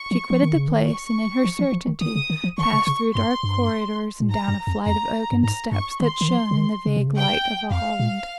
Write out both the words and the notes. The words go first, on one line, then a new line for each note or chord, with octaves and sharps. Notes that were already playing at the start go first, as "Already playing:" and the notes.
She quitted the place and in her certainty passed through dark corridors and down a flight of oaken steps that shone in the vague light of a hall-window.
Already playing: C#6
F3
F3
D#3
C#3
D#3
C#6
F3
F3
F3
D#3
D#3 D#6
C#3
D#3
F3
D#3 C#6
C#3
C#3
G2 C6
G2
A#2
G#2 A#5
G2
F2
F2 A#5
G2
G#2 A#5
G2 C#6
D#3 C6
D#3
F3
C#3
D#3
C#3
C3
C#3
G5
F2 F5
A#2